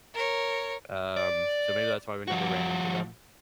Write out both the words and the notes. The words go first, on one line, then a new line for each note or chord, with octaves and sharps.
Um, so, maybe that's why we never ran into them,
A#4 C#5
D5
F3 F#4